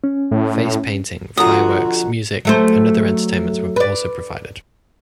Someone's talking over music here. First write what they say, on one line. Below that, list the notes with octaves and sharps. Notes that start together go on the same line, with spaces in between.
Face painting, fireworks, music, and other entertainments were also provided.
C#4
A2
F2 D3 F#4 A#5 D#6
F#3 A3 C5
B4 D5